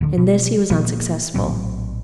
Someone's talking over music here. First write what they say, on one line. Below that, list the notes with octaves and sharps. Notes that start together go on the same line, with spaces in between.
In this he was unsuccessful.
D#1 D3
B2
A#2 F3 A#3 B3
A#1 A2 F#3 C4